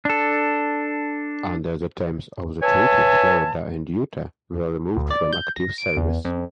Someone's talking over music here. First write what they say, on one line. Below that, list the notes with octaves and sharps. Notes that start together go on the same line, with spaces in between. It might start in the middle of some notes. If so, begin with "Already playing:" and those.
Under the terms of the treaty, "Florida" and "Utah" were removed from active service.
D4 A4
B4 C#5 E5 G#5 A5
D2
D5
G6
A#6
D7
E2
F2